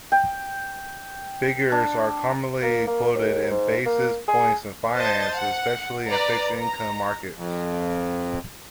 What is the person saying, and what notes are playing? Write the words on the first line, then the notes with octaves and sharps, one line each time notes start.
Figures are commonly quoted in basis points in finance, especially in fixed income markets.
G5
D4
A#3
A#3
D#2
G#2
A#3
G#4
C5 D#5 A5 G6 A6
F#5
B4 D5 A#5
A#5
F2